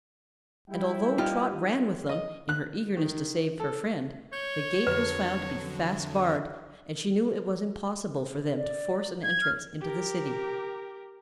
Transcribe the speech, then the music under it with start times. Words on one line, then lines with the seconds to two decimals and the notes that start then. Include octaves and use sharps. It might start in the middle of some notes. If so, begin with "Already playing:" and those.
And, although Trot ran with them, in her eagerness to save her friend, the gate was found to be fast barred and she knew it was impossible for them to force an entrance into the City.
0.69 G3 E4 G5
1.18 D#4 F4 G4
2.09 D#5
2.49 F#6
2.97 D#3
3.60 A4
4.33 C#5 G6
4.87 F2 D3 F#3 B4
8.57 D5
9.23 G#6
9.42 F6
9.81 G4 A#4